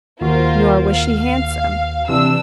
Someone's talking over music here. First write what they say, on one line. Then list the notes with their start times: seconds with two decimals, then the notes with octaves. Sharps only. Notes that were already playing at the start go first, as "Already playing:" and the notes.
Nor was she handsome.
0.21 D#2 F4 F#4 A#4 C5
0.86 F5
2.09 C3 E3 D4 E6